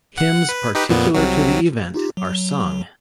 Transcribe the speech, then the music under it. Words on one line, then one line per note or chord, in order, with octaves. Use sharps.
Hymns particular to the event are sung.
F#5
B4
D#4 G4 B4
F2 A#2 B3
C2 C3 F#3
D#4 F4 G4
F#3